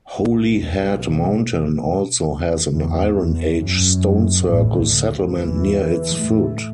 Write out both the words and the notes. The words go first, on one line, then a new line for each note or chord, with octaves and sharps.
Holyhead Mountain also has an Iron Age stone circle settlement near its foot.
B1 B2
E2
E2
F#2
A1 A2
D2 D3
E2 E3
A2 A3